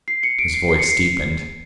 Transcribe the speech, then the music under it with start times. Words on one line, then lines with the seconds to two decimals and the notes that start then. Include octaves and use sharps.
His voice deepened.
0.08 C7
0.23 C#7
0.39 D7
0.54 C7
0.69 C7
0.79 C#7
0.89 C7